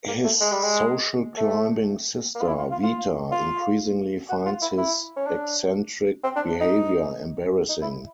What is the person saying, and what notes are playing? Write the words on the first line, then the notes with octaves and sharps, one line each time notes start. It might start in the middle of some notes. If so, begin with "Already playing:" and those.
His social-climbing sister, Veta, increasingly finds his eccentric behavior embarrassing.
A#3
A3
G#3
G3
G#3
A3
A#3
F4
E4
F4
F4
F4
F4
F#4
F4
E4
E4
C#4
D4
C4
D4
D#4
D#4
E4